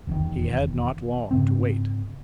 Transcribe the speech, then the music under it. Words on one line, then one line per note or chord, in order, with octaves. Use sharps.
He had not long to wait.
F1 E2 C3 D#3
G#2 C#3 C4